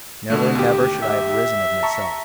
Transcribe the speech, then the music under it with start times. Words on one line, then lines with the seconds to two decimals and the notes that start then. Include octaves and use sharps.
Never, never should I have risen of myself!
0.30 B2 D3 A3
0.55 D#2 G4
1.02 E5
1.83 A5 A#5 C#6